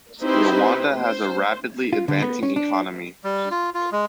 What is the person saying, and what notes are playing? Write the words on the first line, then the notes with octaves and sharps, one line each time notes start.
Rwanda has a rapidly advancing economy.
C4 D#4 E4 G4 B4 C5
C5
F4
D3
B3
C#4
D4
G3
F4
F4
G#3